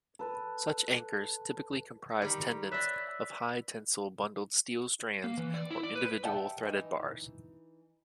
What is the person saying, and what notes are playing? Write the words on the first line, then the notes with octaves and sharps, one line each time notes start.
Such anchors typically comprise tendons of high-tensile bundled steel strands or individual threaded bars.
A4 B4
D#3 G3
B4 C#5 D5 E5
A#3
E3
D5
E4
D5
B4
G4 D5 E5 F#5 A5
E3 D#4